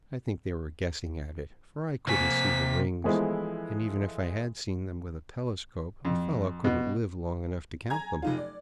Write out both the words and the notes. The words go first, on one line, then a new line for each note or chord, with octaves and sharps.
I think they were guessing at it, for I couldn't see the rings, and even if I had seen them with a telescope a fellow couldn't live long enough to count them.
C3 A#3 C5 G#5 B6
E3 F3 G#3 A3 B3 E4
F2
B2
G#5 A#5 G#6
F1 D#4 F4
D5